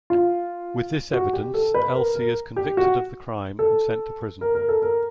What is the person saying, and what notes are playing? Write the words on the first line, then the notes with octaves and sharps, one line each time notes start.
With this evidence, Elsie is convicted of the crime and sent to prison.
F4
F#4
G4
A4
B4
A#4
A#4
G4
F#4
A4
A#4
A#4
A4
A#4